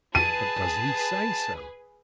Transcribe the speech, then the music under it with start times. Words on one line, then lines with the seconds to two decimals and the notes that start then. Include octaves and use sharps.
"But does he say so?"
0.15 G#4 B4 A5 D#7